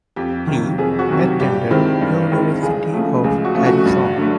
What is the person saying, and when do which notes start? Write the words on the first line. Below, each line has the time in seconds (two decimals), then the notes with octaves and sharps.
Lee attended University of Arizona.
0.16 F2 G4
0.47 C3 D#3 F#3
0.78 F2 G#4
0.99 F#4
1.09 C3 D#3 F#3
1.19 G4
1.40 G2 G4
1.70 D#3 G#3 C4 E4
2.01 G2
2.32 D#3 G#3 C4 E4
2.63 C#2 G#4
2.94 C#3 F3 A3
3.24 C#2 G#4
3.45 F#4
3.55 C#3 F3 A3
3.66 F#4
3.85 G2
4.16 D3 F#3 A3